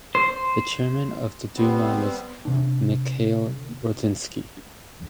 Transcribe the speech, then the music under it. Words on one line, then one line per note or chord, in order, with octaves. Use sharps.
The Chairman of the Duma was Mikhail Rodzianko.
C5
G3 B3 C4
C3 D4